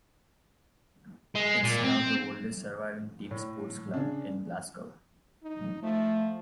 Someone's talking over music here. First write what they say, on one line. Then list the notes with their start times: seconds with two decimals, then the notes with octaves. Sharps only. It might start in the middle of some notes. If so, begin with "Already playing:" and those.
It is now the oldest surviving team sports club in Glasgow.
1.35 G#3
1.64 A#2
1.84 C4
3.31 A2
3.94 C#3 C#4 D4
5.43 D#4
5.82 F3 A3